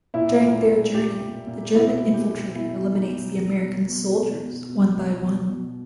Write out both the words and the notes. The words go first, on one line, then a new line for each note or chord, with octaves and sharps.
During their journey the German infiltrator eliminates the American soldiers one by one.
A#2 E4
A#2
A#2
A#2 G4
A#2
A#2
B2 E4
B2
G4
B2
B2 E4
B2
D#4
B2
B2 D#4
B2
B2
B2
B2
B2
B2
B2
B2